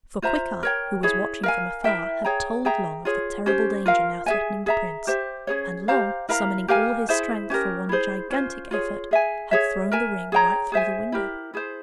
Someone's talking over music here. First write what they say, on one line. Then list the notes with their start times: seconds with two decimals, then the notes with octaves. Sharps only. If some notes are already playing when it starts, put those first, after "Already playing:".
For Quickeye, who was watching from afar, had told Long of the terrible danger now threatening the prince, and Long, summoning all his strength for one gigantic effort, had thrown the ring right through the window.
0.22 F4 C5 E5 A#5
0.63 A#4 C#5 G5
1.03 E4 G#4 C#5
1.43 A#4 F5 G#5
1.84 E4 A#4 E5 G5
2.25 G#4 C#5 G5 A#5
2.65 G#4 E5 G5 A#5
3.05 F4 G#4 C#5
3.46 C#4 G4 C5
3.86 F4 A#4 F5
4.26 G#4 E5 G#5
4.66 G#4 E5 A#5
5.07 G4 C5 E5
5.47 C#4 E4 G#4 C#5
5.88 G4 C5 F5 A#5
6.29 E4 A#4 F5 A#5
6.68 G4 A#4 F5 G#5
7.09 E4 G#4 C5 E5
7.50 C#4 G4 A#4
7.89 E4 G#4 C5
8.30 C#4 F4 C5
8.71 F4 G#4 C#5
9.11 G#4 E5 G#5
9.51 G#4 C#5 E5
9.92 A#4 E5 G#5
10.32 G#4 C#5 G5 A#5
10.72 G#4 C5 E5 G#5
11.12 E4 G4 A#4
11.54 E4 G#4 C5